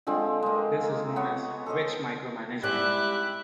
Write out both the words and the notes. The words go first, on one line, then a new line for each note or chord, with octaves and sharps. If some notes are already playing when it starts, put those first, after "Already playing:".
This is known as twitch micromanagement.
D3 F3 G#3 C4
G#3 A#3
B3 C#5 C#6
A4 C5 D#5
G#2 G3 C4 E4 G4 F#6